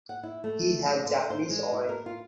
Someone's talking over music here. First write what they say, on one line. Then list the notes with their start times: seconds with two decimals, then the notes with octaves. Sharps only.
He has Japanese origin.
0.09 F#5
0.23 E4
0.44 A3
0.86 G#4
1.05 D3
1.30 C5
1.50 G#3
1.73 E4
1.89 A#4
2.06 F4